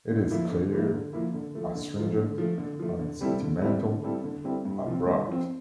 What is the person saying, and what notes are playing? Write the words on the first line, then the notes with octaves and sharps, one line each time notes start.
It is clear, astringent, unsentimental, abrupt.
D3
F3 A#3 E4
D3
F3 A#3 E4
D3
F3 A#3 E4
D3
F3 A3
D3
F3 A3
D3
F3 A3
D3
F3 A3
D3
G3 C4 E4 A4
D3
G3 C4 E4 A4
D3
G3 C4 E4 A4
D3
G3 C4 E4 A4
G2
F3 C4
G2
F3 C4